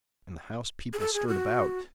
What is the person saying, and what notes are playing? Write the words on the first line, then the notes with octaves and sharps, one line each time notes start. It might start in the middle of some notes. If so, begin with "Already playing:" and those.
In the house people stirred about.
G#4
A4
G#4
F#4